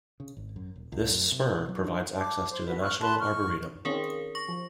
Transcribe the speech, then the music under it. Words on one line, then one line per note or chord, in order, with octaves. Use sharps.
This spur provides access to the National Arboretum.
C#3
G#1
F#2
D#1
C#2
F#2
C3
F#3
D4
A5 D6
C5
F#4 B4
C#6 F6 F#6
A5 B5 C6 F#6
C#6 F6
D#3 C4 C#4 G#4 A#4 F5
C#6 A#6
F3